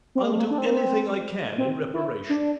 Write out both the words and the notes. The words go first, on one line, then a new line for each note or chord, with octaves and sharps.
I'll do anything I can in reparation.'
C4
A#3
A3
A#3
D4
C4
A#3
C4
C4
E4
D4